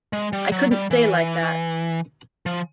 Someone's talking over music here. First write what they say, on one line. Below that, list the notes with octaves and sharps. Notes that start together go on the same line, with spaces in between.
I couldn't stay like that.
G#3
G3
F#3
G3
E3
F3